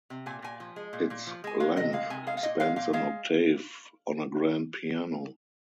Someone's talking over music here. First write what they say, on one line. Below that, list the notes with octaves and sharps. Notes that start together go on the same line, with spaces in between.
Its length spans an octave on a grand piano.
C3
A#2 G#5
A#2 G#5
F3
G#3
A#2
A#2
F3
G#3 G#5
G#3 F5
C3 D#5
G#3 F5
C3 G#5
G#3 F5
F5
A#2 D#5
G#3 F5
A#2 F5
G#3 F5